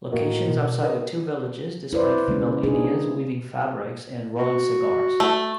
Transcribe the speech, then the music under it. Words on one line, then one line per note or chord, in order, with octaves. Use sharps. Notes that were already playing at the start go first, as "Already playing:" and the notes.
Locations outside the two villages displayed female "indias" weaving fabrics and rolling cigars.
A2 D#3 A#3 F#4
B2
D#3 B4 D#5
E4 B4 C5 D5
C#3 G#3 A#3
D4 D#4 G#4
F#4
A3